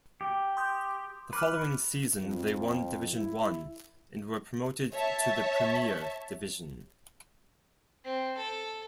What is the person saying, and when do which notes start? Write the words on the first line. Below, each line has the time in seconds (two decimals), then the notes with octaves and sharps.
The following season they won Division One and were promoted to the Premier Division.
0.21 G4
0.57 C6 D#6 G6
1.33 B4 B5 D6 F6
2.23 F2
3.14 E4
4.93 C#5 E5 A5
8.04 C4
8.37 A4